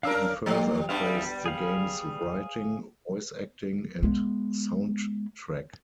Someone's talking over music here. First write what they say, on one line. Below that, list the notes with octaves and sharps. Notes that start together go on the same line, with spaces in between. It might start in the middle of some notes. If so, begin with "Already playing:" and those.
He further praised the game's writing, voice acting and soundtrack.
C#4 D4 A#4 F5 E6
F3 G3 A#3
G3 B3 D4 G#4 E5 F5
G#4 F5 B5
G#3 B3